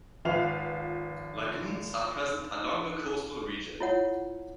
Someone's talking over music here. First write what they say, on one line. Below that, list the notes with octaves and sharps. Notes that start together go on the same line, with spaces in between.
Lagoons are present along the coastal region.
G#1 F3 B4 F5 F7
E4 F4 C#5 F#5